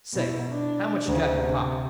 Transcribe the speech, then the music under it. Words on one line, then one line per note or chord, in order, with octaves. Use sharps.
Say, how much you got in your pocket?
B2 E4
D4
D2 C#3
C3